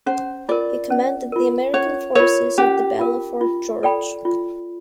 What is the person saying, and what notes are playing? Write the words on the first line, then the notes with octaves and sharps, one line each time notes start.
He commanded the American forces at the Battle of Fort George.
C#4 C5
F4 A#4 D5
C#4
F4 A#4
C#4 C#5
F4 A#4 C#5
C#4 G4
F4 A#4
F4
A4 D5 G5 B5
F4